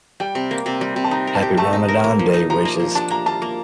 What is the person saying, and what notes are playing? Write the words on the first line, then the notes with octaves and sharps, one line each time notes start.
Happy Ramadan day wishes!
G3 G5
C3
A#3
C3
G3
C3
A5
D#4 A#5
A#4
A5
G4
A3 A5
D#4
A#4
A#3
F3
D#4
F3 A#5
A#3
F3
D4 A5
A#3 A#5
F4 A5
A#3